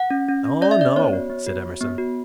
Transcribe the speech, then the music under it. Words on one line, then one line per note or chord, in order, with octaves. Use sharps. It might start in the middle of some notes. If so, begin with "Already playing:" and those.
"Oh no," said Emerson.
Already playing: F#5
C#4
C#4
C#4
C#4 D5
E5
C#4 D5
B3 C#5
F#4
B3
F#4
B3
B3
F#4